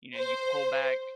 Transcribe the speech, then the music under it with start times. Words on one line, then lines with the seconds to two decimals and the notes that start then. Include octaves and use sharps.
you know, you pull back
0.15 C5